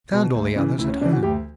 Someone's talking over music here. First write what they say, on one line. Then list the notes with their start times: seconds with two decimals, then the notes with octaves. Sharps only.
I found all the others at home.
0.13 B2
0.35 D2
0.56 C#3 E3
0.78 D2 E4
0.89 C#4
1.01 C#3 E3 D4
1.12 F#4
1.23 D2 G4